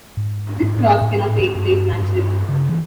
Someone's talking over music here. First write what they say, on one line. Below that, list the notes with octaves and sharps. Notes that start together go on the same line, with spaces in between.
This cross cannot take place naturally.
G#2
G#2
A2
G#2
A2
G#2
A2
G#2
G2
G#2
G2
C#3
E3